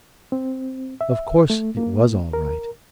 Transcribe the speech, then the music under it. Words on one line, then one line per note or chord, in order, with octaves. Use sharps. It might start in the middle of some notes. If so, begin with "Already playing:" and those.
Of course it was all right.
C4
E5
A3
A#3
A#4